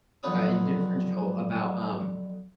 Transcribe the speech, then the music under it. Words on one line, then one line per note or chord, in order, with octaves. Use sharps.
uh, and differential about, um,
B1 F2 D3 B4 C#5 D#6